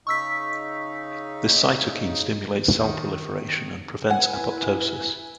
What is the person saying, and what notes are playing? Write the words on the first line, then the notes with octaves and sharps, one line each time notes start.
This cytokine stimulates cell proliferation and prevents apoptosis.
C#3 D#4 C#6 E6 B6
D#3
E4 B4 F#5 G#5